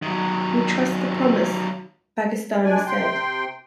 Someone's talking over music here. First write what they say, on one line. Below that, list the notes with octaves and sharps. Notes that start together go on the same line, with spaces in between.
"We trust the promise," Bagistani said.
D#3 F#3
G#3 D4 D5 G#5
C3 G5 C6